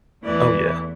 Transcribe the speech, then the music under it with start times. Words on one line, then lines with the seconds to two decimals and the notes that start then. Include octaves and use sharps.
Oh, yeah.
0.23 E2 E3 A3 D5